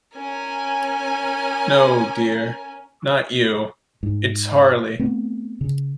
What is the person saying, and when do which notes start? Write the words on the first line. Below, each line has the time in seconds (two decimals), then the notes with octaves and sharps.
No, dear, not you; it's Harley.
0.17 C#4 A#4 G#5
4.03 G#2
4.99 A3 B3 C4
5.61 C#3